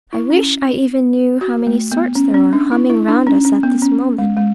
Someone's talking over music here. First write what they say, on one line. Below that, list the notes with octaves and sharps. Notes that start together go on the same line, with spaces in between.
I wish I even knew how many sorts there are humming round us at this moment.
E4
C#4
F#4
A3
B3
C#4
C#4
D4
E4
E4
D4
C#4
C#4
B3
C#4
G#3
G#3